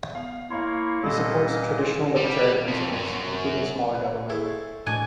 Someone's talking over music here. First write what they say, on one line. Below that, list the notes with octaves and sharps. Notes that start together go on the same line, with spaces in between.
He supports traditional libertarian principles, including smaller government.
B3 F5
A#3 E4 C#5 F5 C6
C2 A#2 A4 D#5
C#4
G3
F2
F#2
B4
E4 G#4 A4 C5 E5 C#6
A2 A3 D4 F#4 A4 D#5 G#5